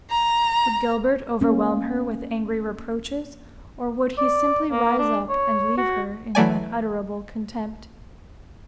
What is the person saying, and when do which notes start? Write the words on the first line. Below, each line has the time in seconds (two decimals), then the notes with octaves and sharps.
Would Gilbert overwhelm her with angry reproaches, or would he simply rise up and leave her in unutterable contempt?
0.10 A#5
1.41 A#3 C#4
4.18 D5
4.72 A#3
4.99 D4
5.29 C#5
5.78 F#4
6.35 E3 F#3 A3 D5 G#5